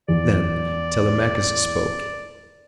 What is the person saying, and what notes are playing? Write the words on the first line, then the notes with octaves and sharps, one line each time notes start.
Then Telemachus spoke.
E2 D5